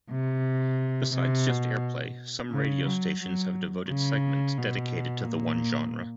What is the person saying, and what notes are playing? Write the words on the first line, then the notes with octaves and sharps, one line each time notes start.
Besides just airplay, some radio stations have devoted segments dedicated to the one genre.
C3
C3
B2
C#3
F#3
F#3
C#3
B2
A#2